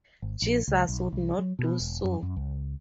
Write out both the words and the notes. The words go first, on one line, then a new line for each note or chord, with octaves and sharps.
Jesus would not do so.
G#1
A#1
C#2
B1
C2
F#3
B2
E1
F#2
F#2
C#2